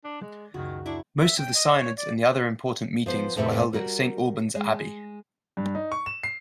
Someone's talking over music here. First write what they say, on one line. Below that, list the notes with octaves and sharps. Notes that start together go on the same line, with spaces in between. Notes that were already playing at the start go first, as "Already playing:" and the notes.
Most of the synods and other important meetings were held at Saint Alban's Abbey.
D4 D5
G#3 F#6
C#2 F#2 D#3 F#4
D4 E4 D5 A#5 C#6
E5
G5
D#5
C#5
D5
F3 B3 C5
F2 A2 C3 A3 C4 B4
G3 F#4 A#4
G#3
G2
D#4
C#6
E7
C7